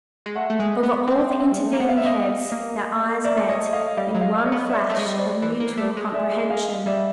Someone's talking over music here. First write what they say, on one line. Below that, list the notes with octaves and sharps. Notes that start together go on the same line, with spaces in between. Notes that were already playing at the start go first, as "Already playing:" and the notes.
Over all the intervening heads their eyes met in one flash of mutual comprehension!
G#3
A3 E5 F#5
A3
G#3
B3
C4
G3
G#3
A3
A#3
B3 F#5
F5
E5
D#5 F5
A#3
A#3 D5 E5
A3
G#3 C#5 D#5
A3
D#5 F5
G3 D#5 F5
F#3
D#5 F5
C#5 D#5
B3
D5 E5
A3
G#3 C#5 D#5
G3
C5 D5
E3
A#3
A3
G#3
A3
G#3 D5 E5
D#5 F5
G3 D5 E5